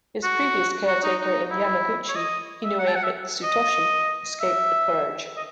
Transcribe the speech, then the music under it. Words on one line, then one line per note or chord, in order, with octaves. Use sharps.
His previous caretaker in Yamaguchi, Inoue Mitsutoshi, escaped the purge.
F#4
F#4
D#4
D#4
E4
C#5
D#5
E5
F#5
A5
F#5
E5
D#5
E5
D#5